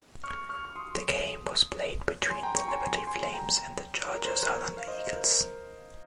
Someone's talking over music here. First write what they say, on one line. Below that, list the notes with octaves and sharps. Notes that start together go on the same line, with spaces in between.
The game was played between the Liberty Flames and the Georgia Southern Eagles.
C#6 F6
C#6 F6
C#6
C6 D#6
G#5 C6
G5 A#5
A#5 C#6
G#5 C6
G#5 C6
G#5 C6
G5 A#5
A#4
C5
A#4 C#5
F5
C5 D#5
A#4